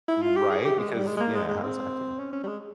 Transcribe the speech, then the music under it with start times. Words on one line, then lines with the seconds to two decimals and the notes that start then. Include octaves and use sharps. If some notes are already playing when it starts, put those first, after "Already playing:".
Right, because yeah, how does that feel?
0.08 E4
0.22 F4
0.36 G4
0.51 G#4
0.65 G4
0.79 G#3
0.93 G3
1.07 G#3
1.17 G#3
1.20 A#3
1.35 G#3
1.48 G#3
1.63 C4
2.19 C#4
2.33 C#4
2.43 G3
2.47 G#3